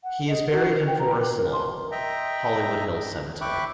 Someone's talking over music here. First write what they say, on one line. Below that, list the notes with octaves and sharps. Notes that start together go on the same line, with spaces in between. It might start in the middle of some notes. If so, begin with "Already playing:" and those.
He is buried in Forest Lawn - Hollywood Hills Cemetery.
F#5
D#5
F#4
A#4
G5
A#5
B4
A#4
C6
D#5 E5 G5 A#5
E5 G5 B5 C#6 D6 F#6